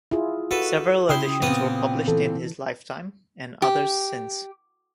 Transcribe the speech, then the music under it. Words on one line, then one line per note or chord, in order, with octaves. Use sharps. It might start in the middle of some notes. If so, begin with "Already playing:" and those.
Several editions were published in his lifetime, and others since.
E4 F4 G#4
F#4 A4 B4
C#3 E4 G5 C6 D#6
A#2 B3 C4 B4
E3 A4
G4